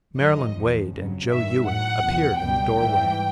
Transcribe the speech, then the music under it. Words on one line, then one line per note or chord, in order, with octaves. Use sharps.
Marylyn Wade and Joe Ewing appeared in the doorway.
F#2 D#3 F#3 D#5
E2 C3 F3
F2 C#3 F#3
G2 D#3 G3 E5
A2 F#3 F#5
E2 C3 F3
C#2 B2 G3 G5
G#2 E3 G3